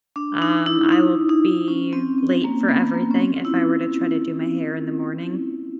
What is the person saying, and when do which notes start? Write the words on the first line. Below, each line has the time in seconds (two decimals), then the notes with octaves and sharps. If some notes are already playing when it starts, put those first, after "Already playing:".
um, I will be late for everything if I were to try to do my hair in the morning.
0.16 D4
0.42 D#4
0.66 E4
0.92 D#4
1.29 D#4
1.68 C#4
1.93 C4
2.18 C4
2.44 A#3
2.69 B3
2.94 A#3
3.11 C#4
3.20 C4
3.35 F4
3.45 E4